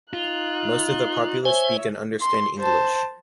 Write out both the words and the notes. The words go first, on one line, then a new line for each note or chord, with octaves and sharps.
Most of the populace speak and understand English.
D#4 F4 F#6
C5 C#5 E5 G#5
C6
C5 A5